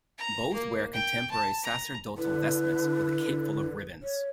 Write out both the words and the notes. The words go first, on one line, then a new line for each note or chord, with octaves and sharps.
Both wear contemporary sacerdotal vestments with a cape full of ribbons.
A#5
A#3
G5
A5
A#5
D3 E4 B4
C#5